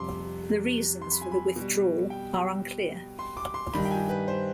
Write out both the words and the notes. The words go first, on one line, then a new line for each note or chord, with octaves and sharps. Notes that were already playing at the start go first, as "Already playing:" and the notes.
The reasons for the withdrawal are unclear.
Already playing: F2 C3 G3 C6 D6
C6
B5
G#5
B5
B2 G3
G5
C6
D6
C6
G2 D#3 G3 B5
G5
G#5
B4
C5